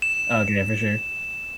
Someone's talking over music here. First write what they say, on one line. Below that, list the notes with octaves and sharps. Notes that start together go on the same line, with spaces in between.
Okay, for sure.
E7